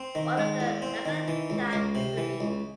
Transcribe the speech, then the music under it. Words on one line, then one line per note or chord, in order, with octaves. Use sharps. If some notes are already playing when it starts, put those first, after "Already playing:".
All of the Langenthal–St.
Already playing: C4
D#3
G#3
E2
C4
D#3
E3
C#2
C#2
C3
E3
C#2